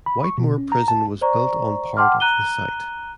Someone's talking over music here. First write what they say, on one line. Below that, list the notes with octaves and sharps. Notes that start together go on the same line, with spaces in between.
Whitemoor prison was built on part of the site.
B5
C#6
B2
C#4
A#5
A5
C5 D5 A#5 C#6
F#5 G5 A5 C6 D6 F6
A#5 F#6 D#7 G7